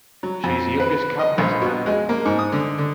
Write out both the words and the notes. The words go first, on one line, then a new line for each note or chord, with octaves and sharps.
She is the youngest cabinet member.
F#3
F2
B4
D#5
A#1
B2
G#3
A#3
G#2
D#6
D3
D3